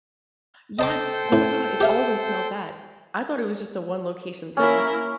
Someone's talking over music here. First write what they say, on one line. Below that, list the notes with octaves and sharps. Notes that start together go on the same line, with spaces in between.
Yes, oh, my god, it always smelled bad. I thought it was just a one location thing,
A4 C5 D#5 G5 A5 D6
A2
G4 E5 F5
A#3 C#4 E4 A#4